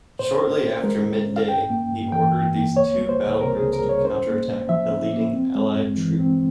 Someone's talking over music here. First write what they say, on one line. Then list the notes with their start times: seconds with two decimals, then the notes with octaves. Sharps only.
Shortly after midday, he ordered these two battlegroups to counter-attack the leading Allied troops.
0.19 A#2 C5
0.41 C#4
0.63 A#2
0.84 G#3 A#4
1.05 A#2
1.27 C#4
1.36 F5
1.48 G2 G5
1.70 A#3
1.92 G2
2.12 E3 G5
2.34 G2
2.55 A#3
2.76 C#2 C#5
2.98 G3
3.09 C5
3.20 C#2
3.41 C3 A#4
3.57 G#4
3.62 C#2
3.73 A#4
3.84 G3
3.89 C#5
4.05 C#4 C5
4.27 A#3
4.48 A#2
4.69 F3 E5
4.90 C#4
5.13 A#3
5.33 C4
5.55 G#3
5.76 G2
5.97 E3
6.20 C4